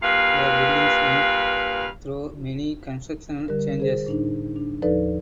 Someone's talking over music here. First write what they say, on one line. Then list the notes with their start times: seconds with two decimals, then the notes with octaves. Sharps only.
The buildings went through many constructional changes.
0.03 G2 A#2 B4 F5
3.48 D3 G3 G4 A#4
3.80 G#4 C5
4.06 A2 D4 D#4
4.56 D4
4.82 D#2 F3 D#4 A4 B4 D5